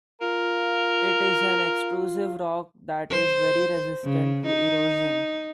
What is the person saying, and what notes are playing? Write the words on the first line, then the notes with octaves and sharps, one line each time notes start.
It is an extrusive rock that is very resistant to erosion.
F4 A#4
C5
C#3
D#4